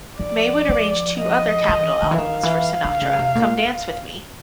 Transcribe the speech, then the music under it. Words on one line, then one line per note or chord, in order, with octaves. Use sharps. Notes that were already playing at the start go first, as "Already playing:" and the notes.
May would arrange two other Capitol albums for Sinatra, Come Dance with Me!
F3 D5
F3
D#5
E3
D#3
E3
D#3 F5
E3
D3
C#3
C3
A#2